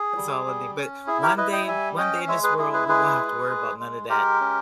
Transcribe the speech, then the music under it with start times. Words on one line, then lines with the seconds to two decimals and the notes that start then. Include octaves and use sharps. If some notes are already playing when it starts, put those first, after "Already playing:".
That's all I need, but one day in one day in this world, we won't have to worry about none of that.
Already playing: G#4
0.17 G3
0.47 G3
0.77 C#4
1.07 E4 G#4
1.22 G4 A#4
1.37 E4 B4 D#5
1.52 D#5 G5
1.67 G3 E5 G#5
1.98 C#4 D#5 G5
2.28 G#3 C#5 E5
2.43 G#4 B4
2.58 E4 G#4
2.73 G#4 B4
2.88 G#3 G#4 B4
3.19 G#3
3.49 G#3
3.80 G#3
4.09 G#3 G4 A#4
4.40 C#4